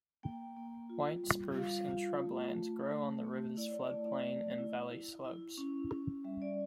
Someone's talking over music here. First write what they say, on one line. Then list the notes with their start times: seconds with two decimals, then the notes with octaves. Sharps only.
White spruce and shrublands grow on the river's floodplain and valley slopes.
0.23 A#3 G5
0.57 A#3
0.90 F4
1.24 G3
1.57 F4 F5
1.91 F4
2.23 A3
2.57 A3
2.91 A3
3.24 A3
3.57 E4 D5
3.71 C#5
3.84 D5
3.91 A3
4.24 A3
4.58 E4
4.91 E4
5.25 E4
5.58 C#4
5.92 C#4
6.25 G3 E5
6.42 D5